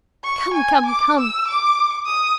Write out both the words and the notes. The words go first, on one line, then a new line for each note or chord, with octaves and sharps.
'Come, come, come!
C#6
G#5
D6
E6
D6
D#6